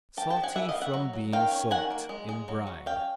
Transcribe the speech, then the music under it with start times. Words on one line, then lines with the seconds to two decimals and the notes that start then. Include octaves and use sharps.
Salty from being soaked in brine.
0.17 F3 G5 A5
0.30 G5 A5
0.37 F3
0.43 F#5 G#5
0.55 G3 E5 F#5
0.69 D#5 F5
0.75 B3
0.82 E5 F#5
0.94 F#3
1.13 F#3
1.32 D#3 F5 G5
1.51 C#4
1.70 D#3 F#5 G#5
1.90 A#3
2.09 G#3
2.29 G#3
2.48 F#3
2.67 F#3
2.86 C#4 F5 G5